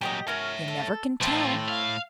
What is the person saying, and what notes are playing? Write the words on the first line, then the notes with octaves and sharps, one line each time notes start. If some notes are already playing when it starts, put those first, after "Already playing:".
You never can tell.
A#2 F#3 G4 C#5 D#5
C#4 F#4 A#4 C#5 E5
A4
A2 E3 C4 F4 A4
F5